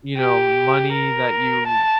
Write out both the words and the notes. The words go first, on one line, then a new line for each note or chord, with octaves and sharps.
you know, money that you
G4
A#4
A5